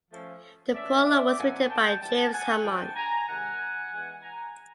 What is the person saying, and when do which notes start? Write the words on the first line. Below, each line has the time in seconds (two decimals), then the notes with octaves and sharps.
The prologue was written by James Hammond.
0.11 F3 A3 C#4
0.74 E3 A3 C#4 D5 E5
1.06 D5 E5
1.37 A#2 F3 A3 C4 D#4 F#5 G#5
1.68 G5 A5
2.01 C3 E3 G3 G5 A5
2.32 F#5 G#5
2.63 F3 A3 D4 G5 A5
2.95 G#5 A#5
3.27 C3 D#3 G#3 F#5 G#5
3.91 E3 G#3 B3
4.22 G#5 A#5